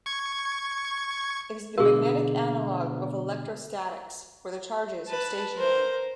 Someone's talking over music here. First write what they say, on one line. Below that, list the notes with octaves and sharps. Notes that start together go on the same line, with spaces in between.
It is the magnetic analogue of electrostatics, where the charges are stationary.
C#6 G#6
B2 D3 G#4 A#4 F5
B4 A5
A#4 C5